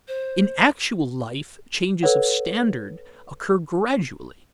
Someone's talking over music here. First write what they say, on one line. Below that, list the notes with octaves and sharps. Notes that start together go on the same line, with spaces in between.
In actual life changes of standard occur gradually.
C5
A4 B4 C#5 F#5